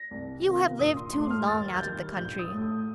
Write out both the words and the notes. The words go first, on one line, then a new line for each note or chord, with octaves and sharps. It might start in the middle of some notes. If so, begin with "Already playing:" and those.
You have lived too long out of the country.
Already playing: A#6
C2
C3 D#3 A#3 F4
A#1 D#6
C6
A2 A3 C6
F6
D#2 A6
G6
D#3 G3 A6
A#1 G6
D#6
A2 A3
D#6